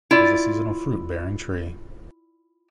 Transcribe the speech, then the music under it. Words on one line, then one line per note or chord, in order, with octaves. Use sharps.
It is a seasonal fruit bearing tree.
E4 F4 D5